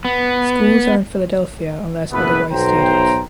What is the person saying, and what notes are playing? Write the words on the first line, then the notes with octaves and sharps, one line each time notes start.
Schools are in Philadelphia unless otherwise stated.
B3
F#1 B2 A3 B3 B4
B1 C5 G5 A#5